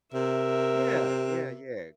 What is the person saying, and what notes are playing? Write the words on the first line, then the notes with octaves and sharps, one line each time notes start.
Yeah, yeah, yeah.
C3 A#4 E5